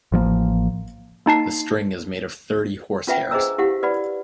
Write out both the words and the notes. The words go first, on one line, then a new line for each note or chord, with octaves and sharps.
The string is made of thirty horsehairs.
A1 F3 G#3 A#3
A#3 D#4 A5 C7
C#4 F4 B4 E5 F#5 G5
D4 G#4 C5 D#5 A#5 E6
E4 G4 F5 F#5
B4 D5 F#5 B5